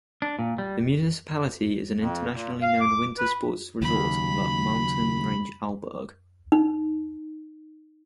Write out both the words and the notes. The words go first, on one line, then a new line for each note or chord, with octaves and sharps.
The municipality is an internationally known winter sports resort on the mountain range Arlberg.
D4
A#2
G3
F2
A#2
F5
D6
B4
D#2 C#3 F#3 B5
D#4